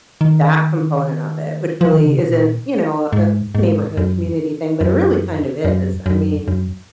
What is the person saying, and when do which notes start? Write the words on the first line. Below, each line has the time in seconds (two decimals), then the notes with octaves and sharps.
that component of it, which really isn't, you know, a neighborhood community thing, but it really kind of is. I mean,
0.21 D#3
1.81 F3
1.93 D#3
2.04 C#3
2.17 B2
2.29 A#2
3.13 G#2
3.55 G#2
3.97 F#2
4.81 F#2
5.64 F#2
6.06 F#2
6.48 F#2